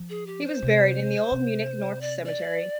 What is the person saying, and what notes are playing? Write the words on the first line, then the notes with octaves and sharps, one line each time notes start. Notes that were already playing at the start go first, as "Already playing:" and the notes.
He was buried in the Old Munich North Cemetery.
Already playing: F3
G#4
G4
C5
C3
C3
D5
D5